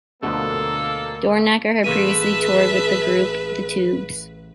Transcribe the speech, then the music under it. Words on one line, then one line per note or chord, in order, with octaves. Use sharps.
Dornacker had previously toured with the group The Tubes.
D2 B2 D3 F3 A#3 A4
A1 A#3 G#4 B4 E5 A5 D#7